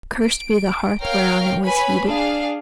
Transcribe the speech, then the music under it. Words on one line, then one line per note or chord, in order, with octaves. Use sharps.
Cursed be the hearth whereon it was heated!
D7
A#4 C#5 F5 G5 F6
B4 C#5 G#5 B5
D4 G#4 F5